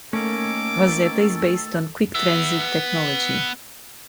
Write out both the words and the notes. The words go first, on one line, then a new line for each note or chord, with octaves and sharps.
Rosetta is based on QuickTransit technology.
D#3 A3 A#3 C#4 A4 D6
B3 E5